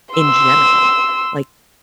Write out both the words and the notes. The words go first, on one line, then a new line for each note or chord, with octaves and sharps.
in general. Like,
C6 E6